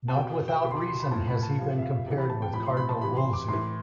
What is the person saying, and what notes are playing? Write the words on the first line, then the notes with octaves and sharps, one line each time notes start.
Not without reason has he been compared with Cardinal Wolsey.
A5
B2 G5
G5
B2 B5
C6
D6
C6
B5
A2 F3 A5
B5
A5
C3 F3 F5
E5
F5
C3 E3
B5
A5
G5
A2 F3 B5
C6
B5
A5
C3 E3 B5
C6
D6
A2 E3 C6